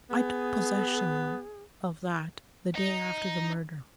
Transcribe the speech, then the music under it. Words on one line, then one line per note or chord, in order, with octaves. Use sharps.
I took possession of that the day after the murder.
B3 G#4
D#4